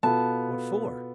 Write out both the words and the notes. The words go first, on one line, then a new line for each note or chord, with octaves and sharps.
"What for?"
B2 B3 F4 A4 A5